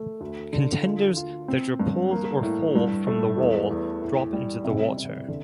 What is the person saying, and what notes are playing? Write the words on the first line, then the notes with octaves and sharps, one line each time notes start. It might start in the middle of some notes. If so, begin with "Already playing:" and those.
Contenders that are pulled or fall from the Wall drop into the water.
Already playing: A3
D2
D3
F4
F4
C4
G2
A#3
A2
G2
A3
E2
E2
A2
G3
C3
C3
D3